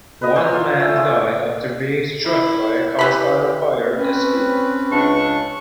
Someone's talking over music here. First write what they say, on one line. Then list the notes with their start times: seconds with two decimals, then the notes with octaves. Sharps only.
One man died after being struck by a cast iron fire escape.
0.22 B4 D#5 A#5
0.36 C5 G#5 E6
0.53 F4 C5
0.80 A3
0.96 A3 F4 G#4
2.26 E4
2.99 E3 G4 B4 B5
3.97 C4 C#4 B4
4.92 C#2 D4 C#6